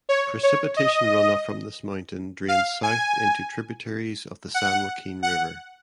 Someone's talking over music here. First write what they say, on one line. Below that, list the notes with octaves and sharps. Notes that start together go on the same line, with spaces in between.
Precipitation runoff from this mountain drains south into tributaries of the San Joaquin River.
C#5
C#5
D#5
F5
G#5
F#5
F#5